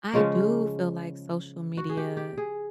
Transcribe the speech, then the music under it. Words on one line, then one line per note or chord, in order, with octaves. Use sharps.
I do feel like social media
C#3 F3 G#3 C#4
F#4
G#4
G4
G4
G#4